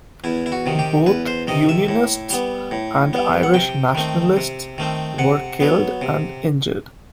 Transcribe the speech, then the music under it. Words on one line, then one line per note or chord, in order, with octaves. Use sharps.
Both unionists and Irish nationalists were killed and injured.
E2 E4
E4
F#4
C3 D#3
G4
E2 B4
C5
C3 D#3 D#5
E5
A2
G3 B3
A2
G3 B3
F#5
C3 G5
D#3 A3 C4
C3
D#3 A3 C4
C3 F#5
F#3 B3
C3